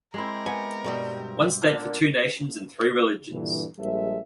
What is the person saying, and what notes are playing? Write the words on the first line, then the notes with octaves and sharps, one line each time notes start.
One state for two nations and three religions.
G#3 C4 E4 G4 A#4 C6
B3 G#5
G2 B2 G3
A#2 D3
G2 A#2 D3 E3
A#1 G3 G#3 A4 E5